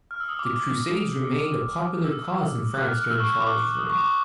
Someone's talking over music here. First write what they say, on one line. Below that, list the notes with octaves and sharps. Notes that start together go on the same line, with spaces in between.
The crusades remained a popular cause in France during Charles' reign.
F6
E6
D#6
D6
D6
E6
F#6
F6
F#6
F6
E6
C#6
D6
D6
D#6
C#6
D6